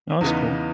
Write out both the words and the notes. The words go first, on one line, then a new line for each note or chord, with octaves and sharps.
Oh, that's cool.
E2 C#3 E3 B3 D#4